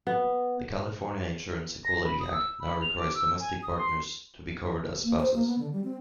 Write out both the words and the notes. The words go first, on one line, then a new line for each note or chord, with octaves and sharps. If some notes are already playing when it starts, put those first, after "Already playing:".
The California Insurance Equality Act now requires domestic partners to be covered as spouses.
B3
A#6
B5
D#6
E6
B5
F7
D6
E6
G#5
D#6
C6
A#3
C5
A#3
B3
D3
G3
C4